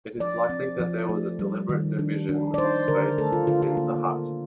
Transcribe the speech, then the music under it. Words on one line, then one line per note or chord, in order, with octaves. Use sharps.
It is likely that there was a deliberate division of space within the hut.
F3 D5
C4
F3
A3
G3
D#3
D4
D4
D5
D#4 C5
D3 A#4
A3 A4
F4
D3 F4
F4
A#3